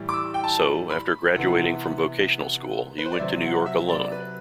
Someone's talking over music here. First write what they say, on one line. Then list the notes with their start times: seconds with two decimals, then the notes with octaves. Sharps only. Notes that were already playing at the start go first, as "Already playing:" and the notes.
So, after graduating from Vocational School he went to New York alone.
Already playing: A2 E3 G3
0.09 D6
0.13 E6
0.34 G5
0.44 A5
0.90 B5
1.35 C3 E3 B3 F#5
2.98 B4
3.05 C5
3.12 D5
3.19 C3 F#3 C4 E5
3.42 F#5
3.66 E5
3.89 D5
4.12 B4